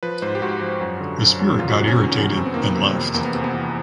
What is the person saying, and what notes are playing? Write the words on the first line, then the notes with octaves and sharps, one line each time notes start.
The spirit got irritated and left.
F3 B4
G#2 C5
G4
G#2 F#4
F3
F#2
D3
F#2
F#2
E2 F4
F#4
C3
C#4
D#3
E2
F2 C4
B3
D#3 A#3
B3
C3
F2
E2 A#3
B3
C3 C4
B3
E3